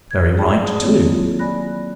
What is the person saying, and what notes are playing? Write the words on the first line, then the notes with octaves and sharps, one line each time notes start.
"Very right too."
G#6
G#4 D5 G5 A5 B5
D#6
D#3 A#3 C4 E4 F4 C#5
D#3 F#3
D5 G#5 B5 F#6 A#6